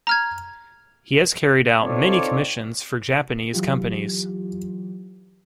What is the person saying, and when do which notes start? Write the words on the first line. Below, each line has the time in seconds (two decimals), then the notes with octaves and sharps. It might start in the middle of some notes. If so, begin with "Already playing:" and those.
He has carried out many commissions for Japanese companies.
0.07 A#5 F6 G#6
1.82 C4 D#4 F4 A4 C#5 D5
3.53 E3 F#3 F4 G4